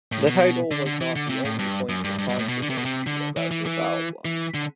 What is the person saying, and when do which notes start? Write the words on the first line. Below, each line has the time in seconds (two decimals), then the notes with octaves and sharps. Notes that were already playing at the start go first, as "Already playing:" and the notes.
The title was not the only point of controversy about this album.
0.12 A2
0.27 B2
0.71 D3
0.86 D3
1.01 E3
1.16 D3
1.29 C3
1.45 A2
1.59 G2
1.89 F#2
2.04 G2
2.18 G2
2.29 G2
2.39 A2
2.49 B2
2.62 D3
2.70 C3
2.78 B2
2.85 C3
3.07 D3
3.37 E3
3.51 E3
3.66 E3
4.25 E3
4.54 D3